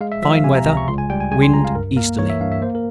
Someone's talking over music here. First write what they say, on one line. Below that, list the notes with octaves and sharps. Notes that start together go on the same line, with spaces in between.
Fine weather: wind easterly.
G#3 F5
E5
F3 E5
F5
C3 G#5
A#5
C#2 A#5
C#6
C#2 C6
G#5
G3 G5
G#5
C#3 G#5
C6
C#2 A#5
F5
G2 A#4
A#3 A#4
E3 C#5
E5
G2 F5
E5
A#3 C5
A#4